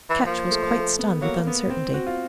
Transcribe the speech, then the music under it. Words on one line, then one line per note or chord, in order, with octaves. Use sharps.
Ketch was quite stunned with uncertainty.
E3
F3 A#3
A3
A3
B3
F#3 A#3
B3
C4
F#4
F4